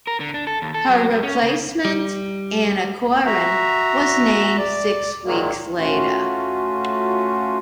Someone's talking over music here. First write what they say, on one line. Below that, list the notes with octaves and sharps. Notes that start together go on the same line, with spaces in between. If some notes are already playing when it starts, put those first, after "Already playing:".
Her replacement, Anna Coren, was named six weeks later.
A#4
D3
D4
A4
D#2
A4
F#3
F#2
C#4
C#3
G3
F#4 E5 A#5
D5
A#2 D#3 F#3 G#3 A#3
A3 C#4 F4 F#4